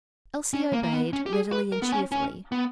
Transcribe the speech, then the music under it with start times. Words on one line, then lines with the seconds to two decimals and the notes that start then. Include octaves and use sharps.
Elsie obeyed, readily and cheerfully.
0.54 C#4
0.73 A#3
0.83 A#3
0.93 B3
1.13 C#4
1.26 G4
1.33 G#4
1.52 B4
1.72 A#4
1.82 B3
1.92 C#4
2.12 C#4
2.52 B3